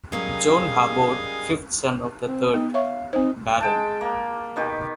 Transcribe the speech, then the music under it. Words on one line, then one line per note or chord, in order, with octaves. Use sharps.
John Harbord, fifth son of the third Baron.
F#3 G3 A#3 C#4 G#4 D#5 F5 G#5
C4
B3 D#4
C#5 E5 F5 C#6
C4 D#4 C5
G#3 G5 A5
A#3
B2 D#3 G4